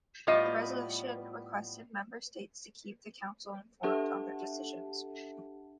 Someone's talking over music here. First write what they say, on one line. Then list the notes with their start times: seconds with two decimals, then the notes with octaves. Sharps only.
The Resolution requested Member States to keep the Council informed on their decisions.
0.27 A2 G3 B3 F4 D#5
3.83 D4 G4 A4 E5 F#5 A5